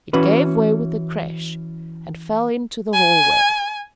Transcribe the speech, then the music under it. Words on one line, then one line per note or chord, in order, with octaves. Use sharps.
It gave way with a crash, and fell into the hall way.
E3 C#4 F#4 B4
G#5